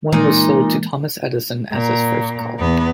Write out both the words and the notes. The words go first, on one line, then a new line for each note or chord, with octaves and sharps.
One was sold to Thomas Edison as his first car.
A#2 E3 G#3 A#3 D#4
A#2
E2 B3